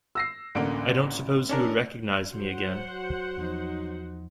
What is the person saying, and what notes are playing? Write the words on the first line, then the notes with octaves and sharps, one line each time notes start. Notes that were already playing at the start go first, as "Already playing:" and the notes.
I don’t suppose he would recognise me again.
E6 A#6 C7
A1 D2 D3 A#3 D7
C#4 D4 A#4
F#3 F#4 C5 F#5
E2 F3 D#4